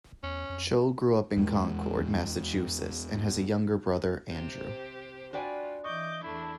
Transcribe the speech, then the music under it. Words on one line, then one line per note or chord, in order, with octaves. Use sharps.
Cho grew up in Concord, Massachusetts, and has a younger brother, Andrew.
E2 C#4
F2
E2 G#3
C3 G4 C5
D4 F4 F#4 B4 D5 G5 G#5
E3 D#5 C#6 D6 G6
E2 A3 D4 E4